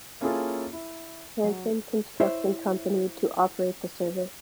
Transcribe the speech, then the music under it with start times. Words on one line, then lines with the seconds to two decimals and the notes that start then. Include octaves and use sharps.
Hanson Construction company to operate the service.
0.21 A#3 C#4 E4 F4 G#4 A4
0.73 E4
1.44 F#3
2.20 E4 C5 C#5 E5